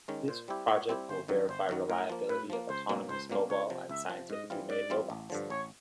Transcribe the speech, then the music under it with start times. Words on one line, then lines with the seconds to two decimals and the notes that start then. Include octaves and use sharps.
This project will verify reliability of autonomous, mobile, and scientifically made robots.
0.08 D#3 G#3 C#4
0.28 A#2 C5
0.48 G3 C4 E4 G4
0.68 A#2 C#5
0.89 G3 C4 E4 G4
1.09 G1 C5
1.28 F#2 D#3 F#3
1.49 G1 C5
1.69 F#2 D#3 F#3
1.89 A2 A#4
2.09 F3 A#3
2.29 A2 B4
2.50 F3 A#3
2.69 C#2 C5
2.89 B2 F#3 A#3 C#4
3.09 C#2 C5
3.30 B2 F#3 A#3 C#4
3.49 C#2 C#5
3.70 C3 F3
3.89 C#2 E5
4.10 C3 F3
4.30 G#2 D#5
4.50 E3 G3 C4 F4
4.70 G#2 D5
4.90 E3 G3 C4 F4
5.10 A1
5.30 G2 D3 F3
5.50 A1 C#5